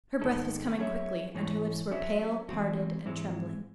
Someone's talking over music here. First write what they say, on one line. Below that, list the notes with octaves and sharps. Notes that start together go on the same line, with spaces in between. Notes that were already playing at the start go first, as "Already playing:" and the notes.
Her breath was coming quickly, and her lips were pale, parted, and trembling.
G#2 D#3 G#3 D#4 A4
F#3 C#4 G#4 C#5 E5
G#2 E3 A3 C#4
F#3 C#4 F#4 C5 E5
E3 G#3 C4 F#4
G#2 E3 G#3 C4